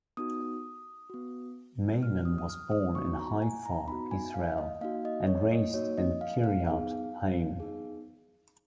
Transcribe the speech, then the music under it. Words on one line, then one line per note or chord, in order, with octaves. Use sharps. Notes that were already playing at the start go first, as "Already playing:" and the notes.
Maimon was born in Haifa, Israel, and raised in Kiryat Haim.
B3 D#4 F#4 D#6
B3 F#4
B3 F#4 F6
D#6
D#6
F6
D#6
B3 D#4 F#4 C#6
A#5
G#5
A#5
B3 D#4 F#4 B5
G#5
F5
D#5
A#3 D#4 F#4 F5
D#5
C#5
D#5
A#3 D#4 F#4 C#5
D#5
F5
F5
B3 D#4 G#4
B3 D#4 G#4